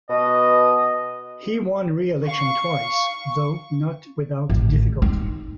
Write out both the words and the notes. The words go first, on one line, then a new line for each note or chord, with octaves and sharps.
He won re-election twice, though not without difficulty.
B2 D#5
F5 C#6
A1
D#4